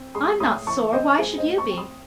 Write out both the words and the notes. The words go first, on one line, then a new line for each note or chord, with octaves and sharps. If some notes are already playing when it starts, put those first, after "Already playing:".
I'm not sore, why should you be?
Already playing: C4
G#3 C6 D#6
A2 C6 D#6
E3 A5 C#6
C4 C5 D#5
G#3 G#4 C5
C5 D#5
A2
A5 C#6
C4
C6 D#6